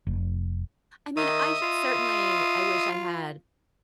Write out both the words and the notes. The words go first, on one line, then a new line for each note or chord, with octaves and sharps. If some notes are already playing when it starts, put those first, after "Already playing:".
I mean, I sh certainly, I wish I had
F1
D#3 D#5 E5 D#6
F4